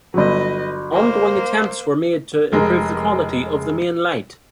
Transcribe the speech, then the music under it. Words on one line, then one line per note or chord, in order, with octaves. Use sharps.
Ongoing attempts were made to improve the quality of the main light.
G1 F#3 B4 D#5
A#3 C5
F1 G#3 A#4